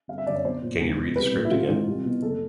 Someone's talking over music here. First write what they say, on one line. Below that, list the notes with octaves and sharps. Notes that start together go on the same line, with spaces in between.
Can you read the script again?
G1 F5
E5
F#2 D3 D5
C#5
B1 C5
A#2
C#2
B2
C2 B4
A#2
E4
A1 F4
G#2 E3
C2
B2
F#1 A4